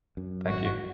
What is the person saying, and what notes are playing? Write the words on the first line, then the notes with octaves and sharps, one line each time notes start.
Thank you.
F#2
G#1 F#4